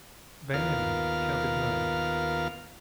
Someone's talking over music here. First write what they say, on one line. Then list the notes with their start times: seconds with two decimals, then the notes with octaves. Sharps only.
Van Emmon counted nine of them.
0.54 D#2 B3 F4 A#4 F5 F6